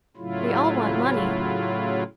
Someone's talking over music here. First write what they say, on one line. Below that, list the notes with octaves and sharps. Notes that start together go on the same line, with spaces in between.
We all want money.
A2 C#3 F#3 E4 F4